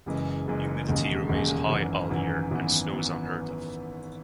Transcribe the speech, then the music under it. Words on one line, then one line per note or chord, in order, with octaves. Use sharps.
Humidity remains high all year, and snow is unheard of.
F#1 F#2 E3 G#3
F#1 F#2 E3 G#3
E1 D#2 C#3 G#3
E1 D#2 C#3 G#3
G#1 F#2 E3
G#1 F#2 E3
G#1 F#2 E3 B3
E3 B3